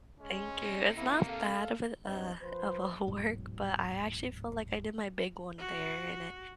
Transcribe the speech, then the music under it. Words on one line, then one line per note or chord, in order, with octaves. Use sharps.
Thank you. It's not bad of a, uh of a work, but I actually feel like I did my big one there, and it,
G#3 C#4
C3 D#4
G#2 A#3 E4
A4 F5
G2 C4 D#4
F3 B4 C5
D1 G#2 B2 F#3
F#4